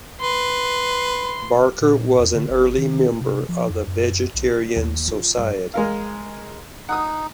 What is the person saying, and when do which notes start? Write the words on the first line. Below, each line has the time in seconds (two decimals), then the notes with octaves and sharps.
Barker was an early member of the Vegetarian Society.
0.21 B4 C6
1.81 A#2
2.19 E2
2.35 D3
2.50 G#1
2.78 D#3
3.21 C3
3.49 F3
3.70 F2
3.87 F#2
4.34 B1
4.76 D#2
5.08 F4
5.37 G2
5.74 G#3 A#4 F5
6.89 D#4 F#5 D#6